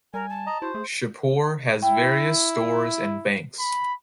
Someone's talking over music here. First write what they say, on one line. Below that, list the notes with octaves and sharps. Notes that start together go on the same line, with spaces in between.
Shahpur has various stores and banks.
G3 A#4 G#5
A5
D#5 A#5
E4 F#4 C5
A3 G#4
E4 G5
B5